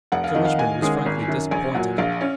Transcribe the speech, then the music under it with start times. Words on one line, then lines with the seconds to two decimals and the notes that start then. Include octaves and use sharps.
Sir Richmond was frankly disappointed.
0.12 F1 F#5
0.24 F5
0.35 F2 D#3 D#5
0.45 F5
0.58 D#2 G#5
0.82 D#3 G#3 C#4 G#4
1.06 G#1
1.28 F#2 D#3
1.51 A#1 G#5
1.75 A#2 F#3 F#5
1.98 A#1 F5
2.21 C#4